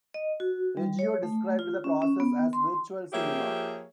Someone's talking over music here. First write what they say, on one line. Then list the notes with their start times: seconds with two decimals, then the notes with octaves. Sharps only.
Reggio described the process as "virtual cinema".
0.14 D#5
0.40 F#4
0.77 G3
0.99 C#5
1.23 A3
1.59 F4
1.84 C#4
2.02 C#4
2.20 B3
2.53 C6
3.13 F3 A#3 G4 G#4 C#5 E5